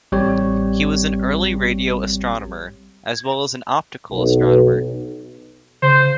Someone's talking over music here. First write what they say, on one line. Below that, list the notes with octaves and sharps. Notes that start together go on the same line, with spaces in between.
He was an early radio astronomer, as well as an optical astronomer.
A1 G3 C4 G4 C#5
B1
C#3 C5